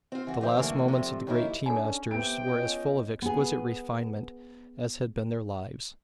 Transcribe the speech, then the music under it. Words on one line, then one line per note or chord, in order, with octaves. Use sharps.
The last moments of the great tea-masters were as full of exquisite refinement as had been their lives.
C4 F4
E3 F#4
D2 F3 G4 C5 C#5 E5
D3 E3 F#3 G3 A3 A#3
C3 F3 A3
D#3 F#3 A#3 D#4 E4
C#4 D4 A4 G#5
C3 B3 G5 D7
C#2 C#4 D#5
B3 G#4